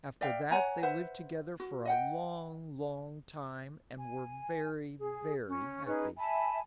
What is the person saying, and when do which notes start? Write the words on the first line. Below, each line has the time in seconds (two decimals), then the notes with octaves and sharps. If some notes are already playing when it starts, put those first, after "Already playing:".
After that they lived together for a long, long time, and were very, very happy.
0.21 D5 E5 F5 G5
0.51 C#5 F#5 G#5 A#5
0.83 B4 C5 E5 F#5
1.60 F#4
1.85 D#5 F#5 G5
3.99 G#5
4.99 G#4
5.48 C#4
5.85 C#4 D#4 G#4 B4
6.17 E5 G#5 A5 B5